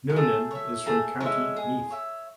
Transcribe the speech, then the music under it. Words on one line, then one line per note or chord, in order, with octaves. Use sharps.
Noonan is from County Meath.
G#3
A3 G#4
C#5 E5
A3 G#4
G#3 C#5
E5
G#4
C#5 E5